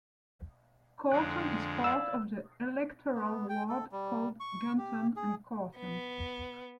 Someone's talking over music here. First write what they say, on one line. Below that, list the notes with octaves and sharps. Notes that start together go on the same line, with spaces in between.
Corton is part of the electoral ward called Gunton and Corton.
F2 D3 G#3 G5 F#6
E4 D5 F5 E6
B3
G5
A4
G3
C#6
G4
G#4
B3